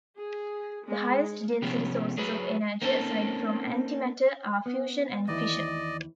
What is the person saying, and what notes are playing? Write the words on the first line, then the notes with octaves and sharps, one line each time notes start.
The highest density sources of energy aside from antimatter are fusion and fission.
G#4
G#3
C3 F3 B3 C#4 G#4
F#3 G#4 B4
A#3 C4 C#4 D#4 F#4 A4
B3
D#2 E3 D5 D#5